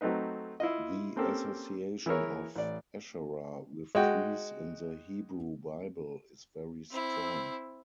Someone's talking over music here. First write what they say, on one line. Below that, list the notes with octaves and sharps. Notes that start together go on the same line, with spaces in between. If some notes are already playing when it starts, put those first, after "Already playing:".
The association of Asherah with trees in the Hebrew Bible is very strong.
F#3 A3 C4 D#4 B4
E4 F4 D#5
A#3 C4 C#4 G4 A4 A#4
E3 E4 G#4 A#4 C#5
A1 D5
G#3 F#4 G5
C4 E4